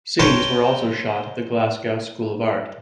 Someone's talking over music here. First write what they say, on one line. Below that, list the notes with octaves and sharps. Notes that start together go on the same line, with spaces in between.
Scenes were also shot at the Glasgow School of Art.
A#4 B4 C#5 G5 A5 C6